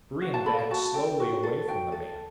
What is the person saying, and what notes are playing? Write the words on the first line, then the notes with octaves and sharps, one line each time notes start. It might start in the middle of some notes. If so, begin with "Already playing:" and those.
Brion backed slowly away from the man.
F#4
A5
A4 B5
A5
F#4 A5
A4 G5
F#4
A4
F#4 G5
A4